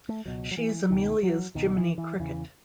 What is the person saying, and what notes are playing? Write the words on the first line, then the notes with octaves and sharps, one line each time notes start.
She's Amelia's Jiminy Cricket.
A3
C#2 B2 F#3
F#3
E3
C#2 B2 D#3
F#3
C#2 B2 D#3
E3
E3
F#3
E2 C#3 E3